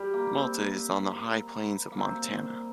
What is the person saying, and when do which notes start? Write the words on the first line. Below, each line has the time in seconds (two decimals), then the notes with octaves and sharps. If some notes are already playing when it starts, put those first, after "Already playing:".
Malta is on the High Plains of Montana.
Already playing: G3
0.14 A#3
0.34 C4
1.92 A#3
1.98 C4